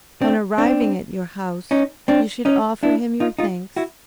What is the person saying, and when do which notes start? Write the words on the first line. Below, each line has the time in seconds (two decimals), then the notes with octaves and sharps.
On arriving at your house, you should offer him your thanks.
0.22 C4 D4
0.58 C4 D4
1.71 C#4 D#4
2.08 C4 D4
2.45 C#4 D#4
2.83 D4 E4
3.20 D#4 F4
3.39 D#4 F4
3.76 E4 F#4